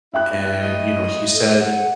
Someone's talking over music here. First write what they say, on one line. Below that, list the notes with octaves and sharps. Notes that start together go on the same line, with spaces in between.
and, you know, he said
E4 E5 G5 F#6
A2 D#5
A4
F#5